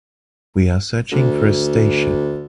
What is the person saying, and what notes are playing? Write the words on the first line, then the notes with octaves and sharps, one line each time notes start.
We are searching for a station.
D2